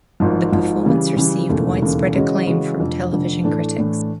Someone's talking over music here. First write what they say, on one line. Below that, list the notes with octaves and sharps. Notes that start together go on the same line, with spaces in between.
The performance received widespread acclaim from television critics.
G#1 G#2 F3
G#1 G#2 F3
C#3 E3 G3
C#3 E3 G3
E1 D#2 C#3 E3 A3
E1 D#2 C#3 E3 A3
C#3 E3 G#3 C#4 F#4
C#3 E3 G#3 C#4 F#4
F1 F2 D3
F1 F2 D3
A2 E3 A3 D4
A2 E3 A3 D4